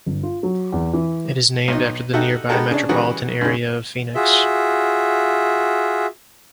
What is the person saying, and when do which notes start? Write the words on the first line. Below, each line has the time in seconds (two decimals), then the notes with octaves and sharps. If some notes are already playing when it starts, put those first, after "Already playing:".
It is named after the nearby metropolitan area of Phoenix.
0.06 G1
0.23 F4
0.43 F#3
0.72 E2
0.93 E3
1.68 B1 D#4
2.13 D#4 F#4 G4 A4 E5
2.49 G#3 B3 F#4 G4 A4 A#4
2.71 C#3 D4
2.89 C#3 E3 G3 F#4 A#4 D#6
3.41 F#2 C#3
4.15 F4 F#4 G#4 E5